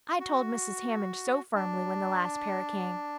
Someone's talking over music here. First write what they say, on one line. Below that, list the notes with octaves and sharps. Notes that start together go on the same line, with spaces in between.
I told Mrs. Hammond so firmly, when the last pair came.
F#4
D4